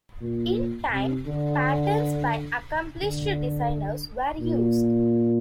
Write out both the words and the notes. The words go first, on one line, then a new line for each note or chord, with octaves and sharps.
In time, patterns by accomplished designers were used.
A#2
C3
D3
D3
A#2